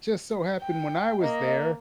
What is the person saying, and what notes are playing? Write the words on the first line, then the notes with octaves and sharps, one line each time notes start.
just so happened when I was there,
G5
A#3 D#5